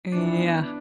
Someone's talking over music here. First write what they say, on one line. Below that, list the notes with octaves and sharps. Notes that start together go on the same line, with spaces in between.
Uh, yeah.
E3 D4
B3
D4